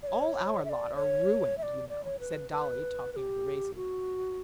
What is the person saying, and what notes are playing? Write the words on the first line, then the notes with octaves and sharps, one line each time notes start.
"All our lot are ruined, you know," said Dolly, talking of the races.
D5
C#5
E5
D5
C#5
E5
D5
D5
C#5
B4
B4
B4
G4
F#4